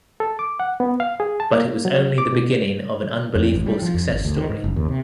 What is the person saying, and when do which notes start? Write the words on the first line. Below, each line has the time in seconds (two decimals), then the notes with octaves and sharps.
But it was only the beginning of an unbelievable success story.
0.20 A4
0.39 D6
0.60 F#5
0.80 B3
1.00 F5
1.20 G#4
1.40 A5
1.53 A#3
1.85 F#3
2.18 D6
2.33 B2
3.35 F2
3.54 A1
3.66 G3
3.82 F3
3.94 F2
4.12 G#1
4.25 D2
4.37 D#3
4.49 G#2
4.64 F#1
4.76 D#2
4.88 C3